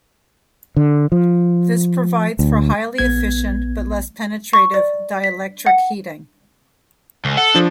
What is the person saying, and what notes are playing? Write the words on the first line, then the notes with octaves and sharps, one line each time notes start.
This provides for highly efficient, but less penetrative, dielectric heating.
D3
F3
D2
A#1 B3 G#6
C#6
D5
B6
F#5
C#2
A4 F#5
F3 D4